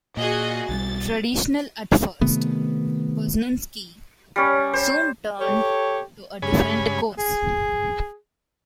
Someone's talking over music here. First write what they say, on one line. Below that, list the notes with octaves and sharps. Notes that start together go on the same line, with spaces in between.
Traditional at first, Poznanski soon turned to a different course.
A#2 F#4 G#4 D#5
B1 E3 G3 A6
C3 D#3 A3 B3
G3 C#4
C5
G4 A4 C#5
G2 C#3 G#3 C#5 G#5 B5
G#4